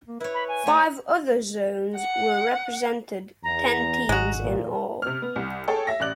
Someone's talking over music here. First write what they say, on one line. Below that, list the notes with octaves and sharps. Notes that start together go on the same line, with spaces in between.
Five other zones were represented, ten teams in all.
A#3
E4 B4 C#5
B5
G#5
A3 G4 C#5 D5
F#5
E2 A#5
G#1 G#3 F#4
B1 E2 A#2
C3 F6
B3
C2
G#4 A4 C#5 G5 A5
E5 A#6
A1 D5 F#6 F#7